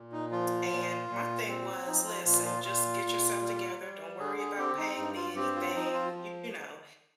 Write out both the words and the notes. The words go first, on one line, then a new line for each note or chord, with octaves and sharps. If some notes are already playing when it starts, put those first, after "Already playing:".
and my thing was, "Listen, just get yourself together, don't worry about paying me anything," you know,
Already playing: A#2
D#4
F3 F4
A#2
A#2
C4
F3 D#4
F4
A#2 F4
F4
A#2 F4
A#2
G3
G3
D3 G#4
G#4
C4 G4
D#4
G2 D#4
F4
C4 G4
F4
F3 D#4
F4